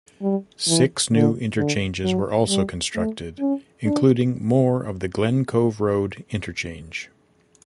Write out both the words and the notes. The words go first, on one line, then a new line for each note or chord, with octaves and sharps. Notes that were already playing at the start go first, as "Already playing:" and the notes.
Six new interchanges were also constructed, including more of the Glen Cove Road interchange.
G3
E3
D3
D3
F#3
G3
A3
C#4
D4